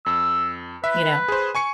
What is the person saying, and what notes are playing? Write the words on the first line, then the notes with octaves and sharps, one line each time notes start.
you know,
F2 E6
B4 E5
G#4 C5
G#5 C#6 C#7